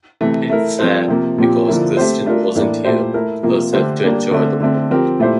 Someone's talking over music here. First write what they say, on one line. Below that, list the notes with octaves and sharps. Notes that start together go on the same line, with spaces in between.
It's sad because Kristen wasn't here herself to enjoy the moment.
C3 E3 A3
A3 E4 A#4
F3 C4 F4 A4 C5
C3 F3 A#3
A#2 F3 C4 G4
D3 F3 A#3 E4
A3 C4 G4 C5
A3 D4 F4 A#4
A2 E3 A#3 D4
A#2 A3 E4 G4 C5
A3 E4 A#4
C3 F3 A#3 F4
D3 A3 D4 G4 C5
G3 A#3 D4 G4
D3 A3 C4
D3 A3 C4
F3 C4 G4 A#4
A#2 A3 E4 G4 C5